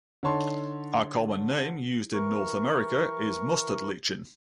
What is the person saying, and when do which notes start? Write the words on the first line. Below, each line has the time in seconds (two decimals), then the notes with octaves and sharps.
A common name used in North America is "mustard lichen".
0.23 D3 D#4 C#5 A5 C6
2.13 E3 A#4 C#6